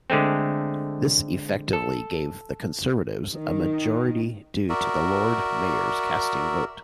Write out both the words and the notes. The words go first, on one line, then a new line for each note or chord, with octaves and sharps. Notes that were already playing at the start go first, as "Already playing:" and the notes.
This effectively gave the Conservatives a majority due to the Lord Mayor's casting vote.
D3 G#3 A3 C4
A4
D#3
F#4 A#4 D5 E5